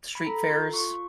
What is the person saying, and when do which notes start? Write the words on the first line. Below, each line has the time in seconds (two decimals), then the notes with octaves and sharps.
street fairs.
0.15 B5
0.26 A4 A#5
0.50 F4 C6
0.73 F4 C#6